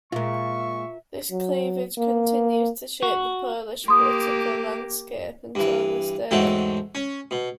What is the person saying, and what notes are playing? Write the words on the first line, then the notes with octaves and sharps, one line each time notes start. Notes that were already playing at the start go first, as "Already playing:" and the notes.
This cleavage continues to shape the Polish political landscape until this day.
A#2 G#3 F4 A#4 E5 C#6
F#3
A#3
F#4
A#3 G4 C6 D#6
G2 E3
E2 G#2 F#3 A3 A4 G5
C#4
B2